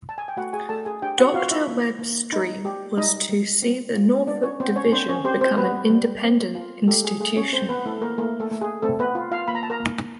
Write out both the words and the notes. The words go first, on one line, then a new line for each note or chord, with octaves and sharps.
Doctor Webb's dream was to see the Norfolk Division become an independent institution.
A5
G#5
G5
A3 F#4 F#5
G#4 G#5
A3 A4 A5
G#4 G#5
D4 G4 G5
F#4 F#5
F4 F#4 F5
E4 E5
A#3
A#3
D#4
G4
G3 D#4 D#5
G3
C4
F4
B3 D4 D5
C#4 C#5
B3 C4 C5
C#4 C#5
C4 D4 C5
C#4 C#5
C4 G4 C5
C4 C5
G3 B3 B4
G3
C4
F4
A3 G4 A4
G#4
A3 G#4
C#4 C#5
C4 C5
B3 B4
A3 E4 A4
A#3 A#4
A3 A#3 A#4
A3 A4
A3
G#4
A3 C4 A4
B3 B4
F4
F4 F5
A#3 B5
A#5
A5
A#4 A#5
A#3